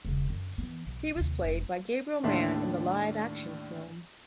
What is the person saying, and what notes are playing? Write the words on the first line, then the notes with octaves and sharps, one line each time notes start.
He was played by Gabriel Mann in the live-action film.
E1 C#3
F#2 D3
E3 B3
B1
D#2 C3
F1 D4
D#2 A2 D4 E5 C6